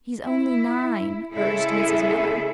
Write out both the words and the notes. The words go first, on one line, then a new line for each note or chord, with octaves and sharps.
"He's only nine," urged Mrs. Miller.
E4
C#3 G#3 E4 G#4 A4 E5